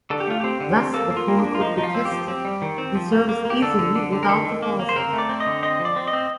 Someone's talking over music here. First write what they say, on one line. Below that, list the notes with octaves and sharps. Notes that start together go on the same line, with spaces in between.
Thus, the phone could be tested and serviced easily without the housing.
D3 A4
G4
A3 F4
C4 G4
D3
C4
A#3 A4
A#3
F4
A#3
D4
A#3
F4
F3 D#4
F3 D#4
F4
C4
G4
F3
C4
G3
D#3
C4
F3
A#3
A#3
A#3 G4
D3 A4
D3
D3
D3
A#4
D#3 A4
D#3
A#3
A#3
C5
C4 A#4
A3
D5
C4
D#5
D3
C4 D#5
F3
D5
C4
D#5
C4